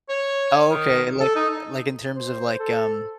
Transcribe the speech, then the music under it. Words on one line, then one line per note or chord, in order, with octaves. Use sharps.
Oh, okay, like eh, like, in terms of, like, um
C#5
D#3
A4
D#4
C5
A4